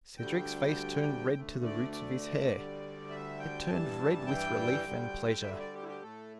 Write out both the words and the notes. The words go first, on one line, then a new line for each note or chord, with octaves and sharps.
Cedric's face turned red to the roots of his hair; it turned red with relief and pleasure.
D2 D3 G3 G5
D2 D3 A3
D5
D5
D2 D3 G3
E5
G5
G2 E3 G3 A5
G5
D2 D3 G3
E5
D5
G4
E4
G4
A2 A3 A4